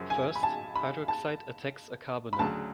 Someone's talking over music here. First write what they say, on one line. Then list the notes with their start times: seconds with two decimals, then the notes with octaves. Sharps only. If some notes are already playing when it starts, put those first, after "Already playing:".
First, hydroxide attacks a carbonyl.
Already playing: F#2 C#3 F3
0.10 G#5
0.35 B5
0.43 A5
0.76 B5
1.08 A5
2.33 B5
2.39 D2 C#3 F#3 A5